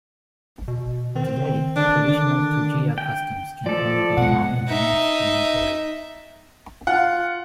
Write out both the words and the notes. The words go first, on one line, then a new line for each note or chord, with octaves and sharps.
Today, traditional Tujia customs can only be found in the most remote areas.
B2
D#3 C4
D3 D4
D4
G5
F3 A4 D5
B2 G#3 F#5
D#4 E5
F4 F#5